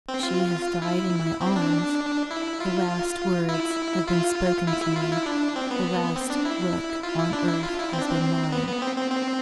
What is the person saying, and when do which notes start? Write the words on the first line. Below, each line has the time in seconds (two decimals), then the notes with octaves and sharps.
She has died in my arms: her last words have been spoken to me, her last look on earth has been mine.
0.08 C4
0.23 F4
0.82 E4
1.41 C4
1.56 D4
2.31 E4
2.60 F4
3.49 E4
4.07 F4
4.67 E4
4.81 E4
4.96 F4
5.12 E4
5.26 D4
5.56 C4
5.71 B3
6.16 C4
6.30 D4
6.45 E4
7.03 F4
7.19 E4
7.33 D4
7.48 E4
7.63 F4
7.78 E4
7.93 C4
8.01 D4
8.10 C4
8.52 B3
8.67 B3
8.82 C4
8.96 C4
9.11 C4